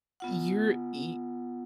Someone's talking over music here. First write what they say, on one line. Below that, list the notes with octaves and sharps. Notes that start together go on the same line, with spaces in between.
you're y
B3 F4 F#5